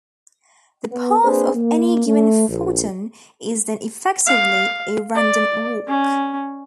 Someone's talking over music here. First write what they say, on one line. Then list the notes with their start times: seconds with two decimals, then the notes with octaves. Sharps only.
The path of any given photon is then effectively a random walk.
0.91 B3
1.23 A#3 C4 D4 G#4 B4 C5
1.55 A#3
2.07 A3
2.49 A#1
4.27 F5
5.15 D5
5.87 C#4